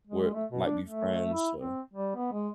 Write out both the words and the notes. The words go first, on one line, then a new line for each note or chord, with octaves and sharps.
where might be friends, so,
G#3
A3
B2
D4
A3
E4
C4
G3
B3
G#3